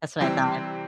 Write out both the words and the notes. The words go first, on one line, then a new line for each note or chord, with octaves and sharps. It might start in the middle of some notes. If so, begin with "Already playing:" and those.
That's what I thought.
C3 E3 G3 C4 E4